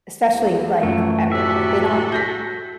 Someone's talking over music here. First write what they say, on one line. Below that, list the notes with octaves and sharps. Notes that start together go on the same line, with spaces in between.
especially, like, at work, like, they don't
E2
F#2 E3 F3 A3
A2 C3 F#4 G4 A4 E5
G6 A#6 B6